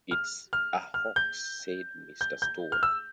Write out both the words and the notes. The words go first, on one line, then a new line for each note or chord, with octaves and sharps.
"It's a hoax," said Mr. Stone.
F6
F6
F6
G6
G6
G6
F6
E6